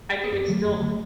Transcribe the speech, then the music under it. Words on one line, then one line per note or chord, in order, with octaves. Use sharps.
I think it's still
G#4
F#2 G4
D3 F#3 A3
F#2
D3 F#3 A3